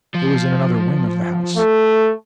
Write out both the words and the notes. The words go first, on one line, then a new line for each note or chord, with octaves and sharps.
It was in another wing of the house.
F3
A3